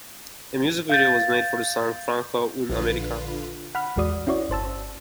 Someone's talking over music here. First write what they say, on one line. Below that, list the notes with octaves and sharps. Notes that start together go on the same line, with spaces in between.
A music video was made for the song, "Franco Un-American".
F5 G6 A6
A#1 D3 F4 B4
F#5 B5 F6
A1 E2 G#3 F#4 D5 D#6
C#4 E4 F#4 C#5 D5
G1 C5 A5 E6